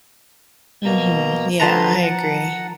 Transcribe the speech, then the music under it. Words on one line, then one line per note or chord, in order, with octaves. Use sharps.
Mhm. Yeah, I agree.
B2 A#3 A#5
D3 F3 B4 A5 A#5 C6
F#5